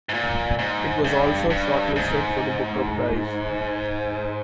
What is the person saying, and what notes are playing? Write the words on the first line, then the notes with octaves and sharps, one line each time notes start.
It was also shortlisted for the Booker Prize.
G#2
A#2
G#2
G2
G2
G#2